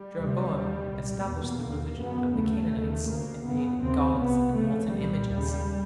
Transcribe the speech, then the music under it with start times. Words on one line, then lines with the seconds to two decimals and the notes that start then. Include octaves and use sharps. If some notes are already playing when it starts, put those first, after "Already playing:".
Jeroboam established the religion of the Canaanites and made "gods and molten images".
Already playing: G3
0.16 D2 C3
0.52 D#2 C#3
0.89 C2 A#2
1.25 E2 B2 A#3
1.62 C#3
1.67 D#2
1.99 F#2 C#3 B3
2.35 D#2 C#3 A3
2.73 D#2 C#3
3.09 D2 C#3 A#3
3.45 F#2 C#3 B3
3.82 D#2 C#3 C4
4.18 C2 C3 B3
4.55 F2 C#3 A3
4.92 C2 A#2 G3
5.28 D#2 C#3